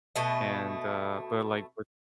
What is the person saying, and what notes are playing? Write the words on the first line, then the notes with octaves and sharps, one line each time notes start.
and, uh but, like, with
B2 A3 D#5